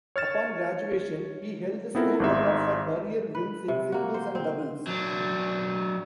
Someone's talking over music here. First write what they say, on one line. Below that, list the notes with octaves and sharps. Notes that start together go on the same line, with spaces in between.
Upon graduation, he held the school record for career wins in singles and doubles.
C#5 F6 A6 E7
B3 C4 E4 F4 A4 A#4
G#1 G#2 E5
B4
C3
A#3 F#4
C5
C4
F#3 D4